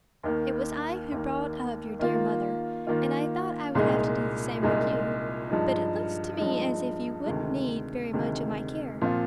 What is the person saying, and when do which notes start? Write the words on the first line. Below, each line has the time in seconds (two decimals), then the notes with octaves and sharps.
It was I who brought up your dear mother, and I thought I would have to do the same with you; but it looks to me as if you wouldn't need very much of my care.
0.23 D#2 D#3 A#3
1.12 D#2 D#3 A#3
1.99 D#3 A#3 F4
2.87 D#3 A#3 F4
3.75 C2 A#2 G#3 D#4 G#4
4.62 C2 A#2 G#3 D#4 G#4
5.50 G2 F3 G#3 D#4
6.37 G2 F3 G#3 D#4
7.26 D2 C3 D#3 G#3
8.13 D2 C3 D#3 G#3
9.01 A#2 F3 C4 F4